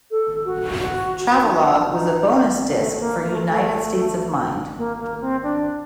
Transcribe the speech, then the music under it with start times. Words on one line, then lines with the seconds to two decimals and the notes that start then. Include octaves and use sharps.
"Travelogue" was a bonus disc for "United States of Mind".
0.11 A4
0.45 F#4
0.78 F#4
1.44 D#4
1.66 D4
1.88 D#4
2.77 A3
2.92 A3
3.00 A#3
3.21 A#3
3.30 A3
3.48 A3
4.77 A#3
4.99 A#3
5.21 C4
5.43 D4